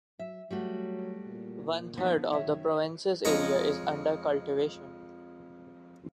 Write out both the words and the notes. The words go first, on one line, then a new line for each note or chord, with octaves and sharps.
One third of the province's area is under cultivation.
F#3 E5
F#3 G3 A3 F#4
A#2
F3 B3 D#4
F#2 D#3 C#5 E5
F2 G#3 C#5 D#5 A#5 B5